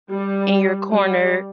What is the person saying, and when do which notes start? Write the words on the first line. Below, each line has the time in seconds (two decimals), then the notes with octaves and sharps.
in your corner,
0.12 G3
0.90 G3